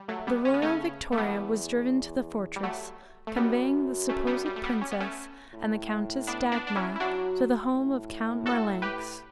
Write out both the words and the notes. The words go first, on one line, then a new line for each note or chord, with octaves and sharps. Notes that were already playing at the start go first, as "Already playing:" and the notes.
The royal victoria was driven to the fortress, conveying the supposed princess and the Countess Dagmar to the home of Count Marlanx.
Already playing: G3
F#3 A3
G3 B3
C#3 C#4
B3
A3 C#4
A3
E2 G3 B3
G3
F#3 A3
A3
F#2 G3 B3
A3 C#4
G3 B3
G3
A3
G3 B3
C#4
B3
A3 C#4
A2
B3 D4
B3 D4
D4
C#4 E4
E4
F#3 D4 F#4
A2
F#4 A4
G4 B4